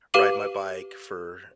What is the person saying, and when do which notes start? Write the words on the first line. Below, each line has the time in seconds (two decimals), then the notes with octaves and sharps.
ride my bike for
0.14 G4 B4 F5 D6 D#7 F#7